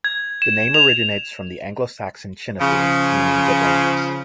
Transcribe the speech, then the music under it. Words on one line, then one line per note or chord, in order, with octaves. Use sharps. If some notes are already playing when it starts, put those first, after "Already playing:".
The name originates from the Anglo-Saxon "Chenefield", meaning 'good lands'.
G#6
E7
F7
C#3 F3